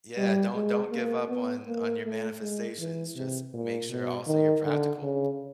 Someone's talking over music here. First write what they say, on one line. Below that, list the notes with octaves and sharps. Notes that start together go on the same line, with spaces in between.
Yeah. Don't don't give up on on your manifestations. Just make sure also you're practical.
G3
G#3
A#3
B3
A#3
A3
G#3
E3
C3
A#2
B2
D#3
D3
C#3